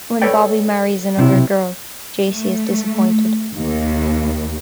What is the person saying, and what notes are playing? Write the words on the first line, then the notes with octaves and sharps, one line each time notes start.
When Bobby marries another girl, Jacy is disappointed.
A4 B4 C#5 D5 G5
B1 C3 E4
A3
D#2